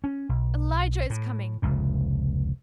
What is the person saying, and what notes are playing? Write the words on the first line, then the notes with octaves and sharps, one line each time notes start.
Elijah is coming!
C#4
B1
A2
F1 C#2 A#2